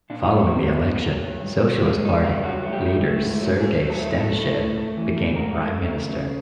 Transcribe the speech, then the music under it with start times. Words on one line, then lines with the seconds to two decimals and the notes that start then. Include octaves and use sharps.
Following the election, Socialist Party leader Sergei Stanishev became Prime Minister.
0.10 A#2 D4
0.24 D#4
0.30 A3
0.49 F#3
0.54 C4
0.64 A#3
0.68 F#3 B3
0.88 A#2
1.07 F#3
1.27 G2
1.46 G2
1.66 G2
1.85 G#3 A#3
2.04 G2 D#4
2.23 G2 F4
2.43 F#3 F#4
2.63 A3
2.73 G4
2.82 A3
3.02 A3
3.22 G#2
3.41 F#3
3.60 F#3 G#4
3.79 F#3
3.90 A4
3.99 A3
4.19 A3 A4
4.39 A2
4.58 A3
4.78 A3
4.97 E3
5.16 A3
5.36 G#2 A#4
5.55 A3
5.75 A3
5.94 C#3
6.14 C#3